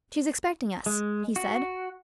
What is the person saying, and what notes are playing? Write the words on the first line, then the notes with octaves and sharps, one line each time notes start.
"She is expecting us," he said.
G#3
F#4